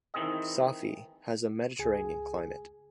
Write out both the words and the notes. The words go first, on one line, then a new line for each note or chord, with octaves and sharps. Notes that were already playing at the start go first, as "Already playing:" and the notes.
Safi has a Mediterranean climate.
D#3 E3 C4 G#4 D#5
C#2 G#4 G#5